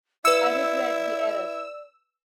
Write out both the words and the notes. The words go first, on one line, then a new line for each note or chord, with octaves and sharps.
I regret the error.
E4 B4 D5 E6 C#7